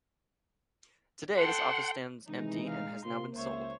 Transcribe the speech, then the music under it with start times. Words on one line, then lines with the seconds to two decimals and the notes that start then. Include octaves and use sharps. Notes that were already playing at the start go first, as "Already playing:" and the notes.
Today, this office stands empty and has now been sold.
1.38 A4 F#5 G5 C6
2.29 C3 D#3 E3 G#3 D#4
2.67 F5
3.04 C3 A#3 C4 F4 C6
3.36 C#2 C5 C#5 E5